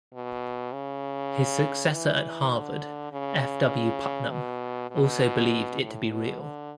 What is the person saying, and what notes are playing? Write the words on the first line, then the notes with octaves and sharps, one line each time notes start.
His successor at Harvard, F. W. Putnam, also believed it to be real.
B2
C#3
E3
D3
C#3
B2
B2
A2
B2
D3